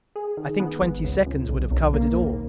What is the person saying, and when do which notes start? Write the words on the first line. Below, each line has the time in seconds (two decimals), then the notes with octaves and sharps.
I think twenty seconds would have covered it all.
0.16 G#4
0.37 D#3
0.60 B3
0.82 G#1
1.04 C#2
1.26 C#2
1.49 B1
1.71 B1
1.94 A#3
2.16 D#2